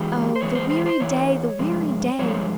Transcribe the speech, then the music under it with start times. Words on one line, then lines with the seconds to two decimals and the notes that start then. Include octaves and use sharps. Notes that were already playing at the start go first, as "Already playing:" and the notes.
Oh, the weary day! the weary day!
Already playing: E2 E3 G#3 G4
0.36 C5
0.41 E2 E3 G#3 C#5
0.55 C5
0.70 C5
0.86 C5
1.00 E2 E3 C#5
1.59 G2 F3 G#3
2.19 G2 F3 G#3 C#5